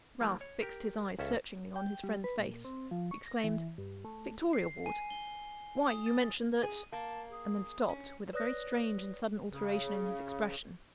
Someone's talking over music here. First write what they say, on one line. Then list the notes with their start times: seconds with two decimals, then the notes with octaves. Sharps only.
Ralph fixed his eyes searchingly on his friend's face; exclaimed: "Victoria Ward! why you mentioned that--;" and then stopped, with a very strange and sudden alteration in his expression.
0.20 E3 G3 A#3
0.41 C#5
0.61 G4 A#4
1.19 C#2 C#4 A4 E5
1.76 G5
2.04 G3
2.24 B4
2.39 A#2
2.65 C4
2.91 F3
3.11 C#6
3.26 A#6
3.44 E3
3.78 G2
4.05 A3
4.53 C7
4.86 G#5
5.10 G7
5.87 D#6
6.06 A6
6.63 G#4
6.92 A#3 A5
7.31 G#4
7.89 C#4
8.33 B4 C#5 D5 D#6 F#6 A#6
9.50 C#3